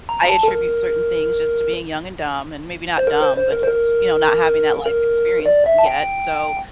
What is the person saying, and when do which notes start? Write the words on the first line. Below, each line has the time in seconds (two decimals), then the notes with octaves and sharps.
I attribute certain things just to being young and dumb, and maybe not dumb, but just, you know, not having that life experience yet, so,
0.09 A#5
0.29 A5
0.43 A4
0.48 A#4
2.98 C5
3.07 A#4
3.22 C5
3.37 C5
3.52 A#4
3.63 C5
3.67 A#4
4.86 A#4
5.46 D5
5.66 E5
5.78 A5
5.86 G5